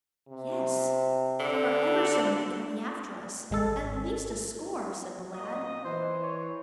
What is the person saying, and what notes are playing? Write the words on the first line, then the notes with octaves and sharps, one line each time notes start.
"Yes; there are ever so many coming after us, at least a score," said the lad.
C3
D3
D4
G#1 G#3 A4
A#2 D#5
E3 C5
C#5